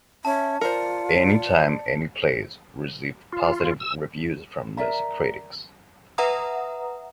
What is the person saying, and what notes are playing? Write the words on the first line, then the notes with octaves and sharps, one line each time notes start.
"Any Time, Any Place" received positive reviews from music critics.
C#4 E5 A5
F4 A#4 C5 D5 C#7
F4
F4
E6
A#4 D5 E5 A#5
B4 E5 F#5 A#5 D#6